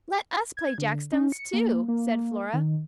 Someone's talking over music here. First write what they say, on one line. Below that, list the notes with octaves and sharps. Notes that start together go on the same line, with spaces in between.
"Let us play jack-stones, too," said Flora.
G#6
D3
C#4
C#7
A#3
A#3
A#3
D#3